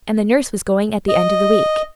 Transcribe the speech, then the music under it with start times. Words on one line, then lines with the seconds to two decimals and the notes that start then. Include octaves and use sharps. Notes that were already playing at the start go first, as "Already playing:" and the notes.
And the nurse was going at the end of the week.
1.09 D#5